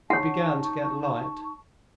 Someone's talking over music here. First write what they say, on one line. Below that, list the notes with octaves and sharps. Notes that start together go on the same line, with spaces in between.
It began to get light.
D#4 C#5 F#5 A5 C#6